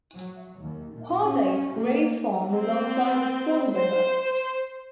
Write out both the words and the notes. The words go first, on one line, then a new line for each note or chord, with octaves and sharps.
Hardey's 'Grove Farm' alongside the Swan River.
F#3
D#2
A#2
C#4
A#3
C4
C5